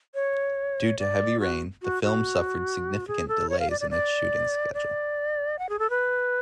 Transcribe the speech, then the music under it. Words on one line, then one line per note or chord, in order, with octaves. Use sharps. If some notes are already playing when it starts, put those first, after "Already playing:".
Due to heavy rain, the film suffered significant delays in its shooting schedule.
C#5
D5
F#4
F#4
F#4
G#4
A4
C#5
F5
D5
D5
D5
D5
F#5
G#4
A4
B4